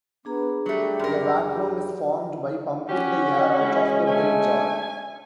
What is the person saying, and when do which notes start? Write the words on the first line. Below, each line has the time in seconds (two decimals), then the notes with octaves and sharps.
A vacuum is formed by pumping the air out of the bell jar.
0.25 B3 D4 G#4 A#5
0.66 F#3 G3 A3
0.99 F#2 A#4
2.89 C#4 F#4 G4
3.60 G#3 E4
4.07 A3 G#5